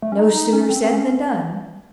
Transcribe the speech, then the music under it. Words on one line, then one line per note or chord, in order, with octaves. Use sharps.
No sooner said than done.
A3
C#4
D#4
D#4
C#4
C4
C4
C#4